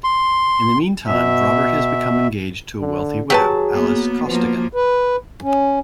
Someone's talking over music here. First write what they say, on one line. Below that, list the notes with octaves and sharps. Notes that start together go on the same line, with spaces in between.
In the meantime, Robert has become engaged to a wealthy widow, Alice Costigan.
C6
B2 E5
D3
F#3 G4 G#4 B4 A5
A#3 B3
F3 A#3 B3
B4
C#4